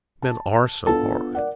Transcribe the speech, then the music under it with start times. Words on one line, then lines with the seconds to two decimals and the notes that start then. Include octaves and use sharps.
Men are so hard!
0.22 A5
0.87 B3 D4 F4 A4 A5
1.35 A#4 D5 F#5